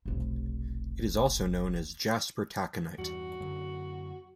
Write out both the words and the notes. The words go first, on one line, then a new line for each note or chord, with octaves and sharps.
It is also known as "jasper taconite".
F1 B1
E2 G2 F#4
F#2 D3 F#3